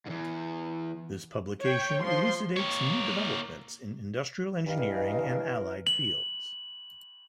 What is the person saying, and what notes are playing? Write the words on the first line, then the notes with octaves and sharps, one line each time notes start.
This publication elucidates new developments in industrial engineering and allied fields.
E2 G#2
C#5 G5
F3 C6
A#3 C#5
G2 E3 A#4 D#5 F5 G#5
F#7